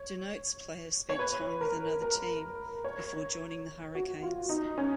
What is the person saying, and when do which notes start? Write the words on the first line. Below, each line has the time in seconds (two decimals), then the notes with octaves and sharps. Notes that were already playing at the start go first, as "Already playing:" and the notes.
Denotes player spent time with another team before joining the Hurricanes.
Already playing: C#5
1.10 C#5
1.19 B4
1.61 A#4
2.02 A#4
2.84 C#5
3.95 F#4
4.22 F4
4.49 D#4
4.78 C#4